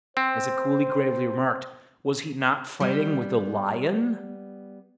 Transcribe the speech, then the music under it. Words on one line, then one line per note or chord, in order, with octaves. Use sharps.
As a coolie gravely remarked, "Was he not fighting with a lion?"
C4 C5
G3 B3